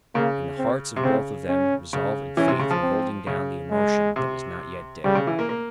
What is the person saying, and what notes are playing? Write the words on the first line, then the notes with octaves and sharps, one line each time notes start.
In the hearts of both of them resolve and faith were holding down the emotion that was not yet dead.
C#3 A#3
C4
C3
C#3 C4
C#4
C#3
E3 C#4
C3
C#3
F3
C4
C#3
G#3
C3
C#3 G3
C#3
E3
A#3
A#3